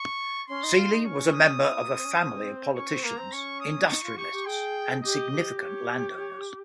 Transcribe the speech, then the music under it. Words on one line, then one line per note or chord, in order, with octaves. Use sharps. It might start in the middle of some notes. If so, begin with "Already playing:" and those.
Seely was a member of a family of politicians, industrialists and significant landowners.
Already playing: C#6
C#4 C6
D#4
F4
D#4
C#4 C#6
D#6
C4
A#3
C4
C#4
C4
C#4
C4
C#4 C#6
C4
A#3 A#5
C4
C#4 C#6
D#6
D#4 C#6
F4
G4 C#6
G4
G#4 G5
G4 D#5
G4
C#5
C#5